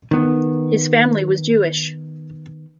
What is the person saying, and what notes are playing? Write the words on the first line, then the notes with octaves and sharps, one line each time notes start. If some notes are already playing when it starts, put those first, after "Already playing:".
His family was Jewish.
D#3 B3